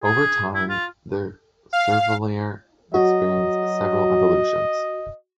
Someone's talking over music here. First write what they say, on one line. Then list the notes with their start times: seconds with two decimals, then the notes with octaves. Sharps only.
Over time, the Cervelliere experienced several evolutions.
0.04 G#4
0.54 E4
0.69 F4
1.73 F5
2.94 F#3 F#4 D#5